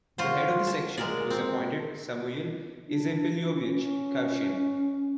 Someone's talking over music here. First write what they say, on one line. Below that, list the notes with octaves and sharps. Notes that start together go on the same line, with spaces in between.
The head of the section was appointed Samuyil Izepilyovych Khavchyn.
F4 F#4 C5
A5
G#3 A#4 D5
C4
D4
C#4
C#4